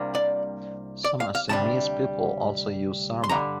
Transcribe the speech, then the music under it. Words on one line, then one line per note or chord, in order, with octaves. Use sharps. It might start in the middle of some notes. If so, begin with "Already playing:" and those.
Some Assamese people also use Sarmah.
Already playing: C2 C3 G3 A#3 D4
D5
D5
F5
F5
D2 C3 G3 D4 A5
C6
G2 D3 G3 A#5